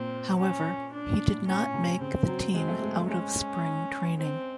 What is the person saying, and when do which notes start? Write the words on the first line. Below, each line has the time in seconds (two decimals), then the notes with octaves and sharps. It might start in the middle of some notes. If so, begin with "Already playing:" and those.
However, he did not make the team out of spring training.
Already playing: A#2 C4
0.38 C#4
0.93 D4
1.10 A#2
1.29 A2
1.47 A#2 C#4
1.73 C3
2.01 C#3 C4
2.28 F#3
2.54 G#3 C4
2.68 A3
2.82 G#3
2.96 A3
3.09 G#3 C#4
4.17 C4